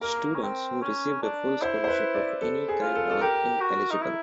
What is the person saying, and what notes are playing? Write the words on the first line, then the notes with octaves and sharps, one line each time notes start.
Students who received a full scholarship of any kind are ineligible.
A#3 A#4
C#4
C4
C#4
D4
E4 C5
C5
B4
D5
A4
G#4
F4
A4
A4
G4 A#4
F#4
D#4
E4